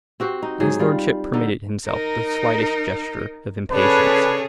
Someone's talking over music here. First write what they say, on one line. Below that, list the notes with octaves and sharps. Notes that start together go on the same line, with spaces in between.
His lordship permitted himself the slightest gesture of impatience.
C4 F#4 G4 C5
D#4
G#2 F#3 G#4
G3 F4
D3 D#4
D#4 A#4
C#3 D4 G#4 A4 B4 C#5